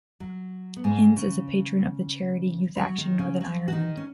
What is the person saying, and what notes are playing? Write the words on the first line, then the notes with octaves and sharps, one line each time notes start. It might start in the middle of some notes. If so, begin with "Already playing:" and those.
Hinds is a Patron of the charity YouthAction Northern Ireland.
F#3
B3
G#2 G#3
C#3 C#4
F#3 F#4
D#3 D#4
C#3 C#4
F#3 F#4
F#4
D#3 D#4
C#4